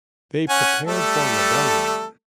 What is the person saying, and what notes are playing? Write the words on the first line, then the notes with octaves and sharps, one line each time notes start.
They prepared for rebellion.
C#4 F#5 G#5
G3 A3 A4